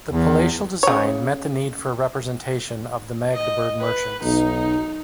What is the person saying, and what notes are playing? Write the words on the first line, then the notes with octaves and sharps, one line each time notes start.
The palatial design met the need for representation of the Magdeburg merchants.
E2
C#3 C#5
D#5
B4
B1 D#4